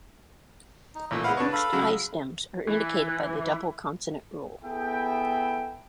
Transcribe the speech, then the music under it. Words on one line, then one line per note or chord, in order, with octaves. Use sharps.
Mixed "i"-stems are indicated by the double consonant rule.
D#4
A1 A#2 A3
G#3 B3 E4 B4 F5 F#5
D4 B4 C#5 C#6
A4 F5 B5
C#3 F#3 G#3
E3
B3 E4 G#4 A4 E5 G5